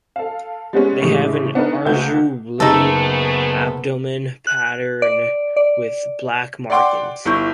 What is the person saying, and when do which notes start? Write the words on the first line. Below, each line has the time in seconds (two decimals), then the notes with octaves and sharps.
They have an azure blue abdomen patterned with black markings.
0.16 A4 F5
0.73 G3 G#3 B3 C#4
1.02 A2 C#3 E3 G3 G#3
1.55 B3 D4 D#4 A#4 B4
1.85 C#2 A3 F#4 B4 F#5 G6
2.60 F#1 G#3 A3 B3 D#4 A4
4.47 F#6
5.02 D5
5.56 D5
6.70 D5 F#5 G5 C6 D6
7.25 G1 E4 C#6 G6